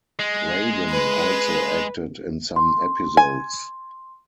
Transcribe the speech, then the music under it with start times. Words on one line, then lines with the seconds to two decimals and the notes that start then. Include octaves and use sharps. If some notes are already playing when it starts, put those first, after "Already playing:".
Reagan also acted in some episodes.
0.19 G#3
0.90 B4
2.56 C6
3.17 G#5